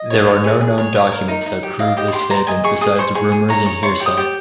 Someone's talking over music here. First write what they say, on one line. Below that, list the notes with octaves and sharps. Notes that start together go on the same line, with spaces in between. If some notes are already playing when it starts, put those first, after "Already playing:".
There are no known documents that prove this statement besides rumours and hearsay.
Already playing: D#5
C#5
C#5
G#4
G#4
C#5
C#5
A#4
D#4
D#4
G4
D#5 F5
G4 D#5
C#6
G4 C6
C5 A#5
D#5 G#5
G#4 C#6
G#4 D#6
C5 C#6
G#4 C#6
G#4
C#5 A#5
C#5
C#5 C6
G4
D#6
G4